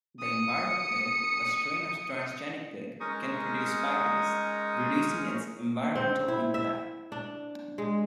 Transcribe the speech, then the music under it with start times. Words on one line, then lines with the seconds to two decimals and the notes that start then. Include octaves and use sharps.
The Enviropig, a strain of transgenic pig, can produce phytase, reducing its environmental impact.
0.20 D#6 C#7
3.00 G#3 C#4 D#4 A#4 C#6 D#6
5.95 C4
6.28 E4
6.54 E5
7.12 D4
7.78 G#3